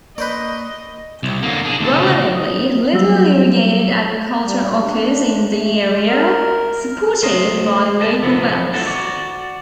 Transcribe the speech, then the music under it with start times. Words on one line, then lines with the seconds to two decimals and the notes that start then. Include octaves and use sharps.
Relatively little irrigated agriculture occurs in the area, supported by local wells.
0.18 A#3 B4 C5 D5 D#5 C#6
1.23 C2
1.43 D3 A#3
1.65 D4 G#4
1.80 D#2 A4
1.96 A2 C#3
2.35 D#6
2.93 F#3 G3 A#3 G4 E6
4.44 G3
4.84 D4
5.58 A3
5.90 G#3
6.06 A#4
7.23 A3 C5 D#5
8.01 D#5 G#5 A5
8.22 C3 F3 B3 C4
8.73 E4 F#4 A4 E5
8.86 F#4 D5